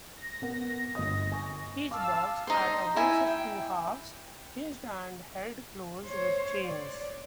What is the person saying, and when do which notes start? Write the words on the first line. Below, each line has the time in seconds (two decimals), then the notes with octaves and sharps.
Each box had a base of two halves, hinged and held closed with chains.
0.17 A#6
0.42 B3 A#4 F#5
0.95 G1 D#5 D#6
1.32 G#5 C#6
1.91 F5 A5 D6 E6
2.47 D#4 C5
2.96 E4 E5 G#5
3.27 G5
6.05 C5 C#5
6.65 D5